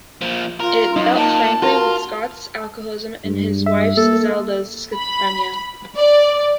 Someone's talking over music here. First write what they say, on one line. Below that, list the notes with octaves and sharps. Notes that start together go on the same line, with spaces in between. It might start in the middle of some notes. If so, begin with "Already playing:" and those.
It dealt frankly with Scott's alcoholism and his wife Zelda's schizophrenia.
A#2 F3
F4 A#4
F#2 D#4
A#2 A#3 A5
F4 F#4 A#4
G2
E5
A#3 A4
B5
D5